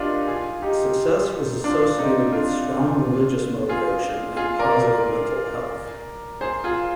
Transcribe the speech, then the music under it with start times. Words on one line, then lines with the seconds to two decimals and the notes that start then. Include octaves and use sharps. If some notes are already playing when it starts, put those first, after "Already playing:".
Success was associated with strong religious motivation and positive mental health.
Already playing: D4 D#4 F4 G4 A#4
0.27 F4 G#4
0.62 D#4 G4
1.64 D4 F4
1.98 C4 D#4
2.32 D4 F4
3.69 F4 G#4
4.36 F4 G#4
4.59 A#4 D5
4.82 A#4 D5
6.41 G#4 C5
6.64 F4 G#4